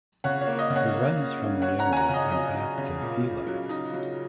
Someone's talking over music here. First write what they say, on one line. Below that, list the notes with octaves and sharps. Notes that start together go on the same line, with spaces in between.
He runs from the area and back to Eli.
C#3 C#5 F#5
C#5
A#3
D#5
C#3
C#5 F#5
A#3
C#4
C#4
C#4 C#5 F#5
F#5 A#5
C#4
G#5
F#5 A#5
C#3
D#5
F#3 D#5
F#3
C#3
A#2
A#2
F#3
D#4
F#3